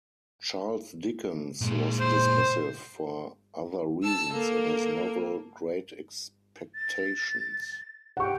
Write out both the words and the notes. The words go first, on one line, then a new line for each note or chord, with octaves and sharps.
Charles Dickens was dismissive for other reasons in his novel "Great Expectations".
A#2 G#3
C5
A5 E6
A#3 A4
A6
G4 F#5 C#6